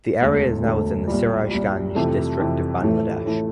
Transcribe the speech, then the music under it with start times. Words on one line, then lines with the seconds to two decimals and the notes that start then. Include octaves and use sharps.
The area is now within the Sirajganj District of Bangladesh.
0.21 E1 D2 D3 A3
0.64 E1 D2 D3 A3
1.07 C2 A#2 G3
1.51 C2 A#2 G3
1.95 F2 C3 E3 A3
2.39 F2 C3 E3 A3
2.83 A1 A2 E3 A3
3.26 A2 E3 A3